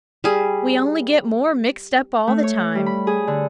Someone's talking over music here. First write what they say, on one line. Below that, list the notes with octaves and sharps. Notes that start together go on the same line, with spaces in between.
We only get more mixed up all the time.
G3 G#4
A3
C#5
G3
B5
G#4
D3